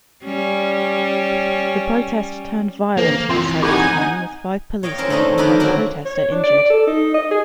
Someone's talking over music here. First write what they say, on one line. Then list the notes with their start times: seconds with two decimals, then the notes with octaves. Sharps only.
The protest turned violent outside his home, with five policemen and one protester injured.
0.25 G3 C#4
2.97 D3 E3 F3 A#3
3.30 E3 C4 F4
3.62 D#4 G4 F#5 G#5 B5 C#6
4.83 C#5 D#5 F5 G5
4.98 F2 C#4 A#4 C5 A5
5.10 A3 D4 D#4 D#5
5.38 D3 D#3 D4 D#4 F#4 B4
5.60 F#3 A3 A#3 C4 C#4 F#4
6.05 C#5
6.32 D4
6.44 D5
6.58 D5
6.70 A4
6.87 D#4
7.14 D#5
7.31 G#4